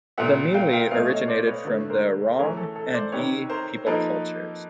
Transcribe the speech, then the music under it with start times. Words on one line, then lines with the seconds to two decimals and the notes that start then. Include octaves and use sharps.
The mili originated from the Rong and Yi people cultures.
0.18 A#2 G3 B3 E5 F#5
0.54 F5 G5
0.73 F5 G5
0.91 B2 F#3 A3 D#5 F5
1.10 C#5 D#5
1.28 C5 D5
1.47 B4 C#5
1.65 D3 F#3 A3 B4 C#5
1.90 A#4 C5
2.39 E3 A3 C#4 G#4 A#4
2.57 A4
2.76 A4
2.94 C5 D5
3.12 C3 D#3 G3 B4 C#5
3.50 A#4 C5
3.86 F3 A#3 D#4 A4 B4